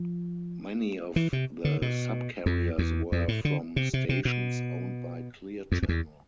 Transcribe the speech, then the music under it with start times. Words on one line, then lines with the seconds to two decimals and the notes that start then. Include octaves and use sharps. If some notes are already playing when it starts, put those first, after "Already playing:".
Many of the subcarriers were from stations owned by Clear Channel.
Already playing: F3
1.16 E3
1.33 C3
1.65 D3
1.82 B2
2.46 F2
2.78 E2
3.12 F2
3.28 A2
3.45 D3
3.76 C3
3.94 C3
4.09 C3
4.25 B2
5.72 F2
5.83 F2
5.89 E2